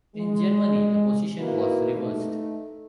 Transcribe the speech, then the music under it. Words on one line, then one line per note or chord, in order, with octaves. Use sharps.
In Germany the position was reversed.
G#3
D#3 A#3 E4 F#4 B4
A3 D#4